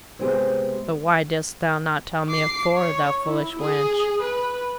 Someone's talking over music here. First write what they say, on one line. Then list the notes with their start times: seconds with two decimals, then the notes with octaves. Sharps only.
'But why didst thou not tell me afore, thou foolish wench?'
0.19 C3 G#3 B3 G4 G#4
2.28 D6 C7
2.77 C#5
3.26 E4
3.60 G#4
4.21 B4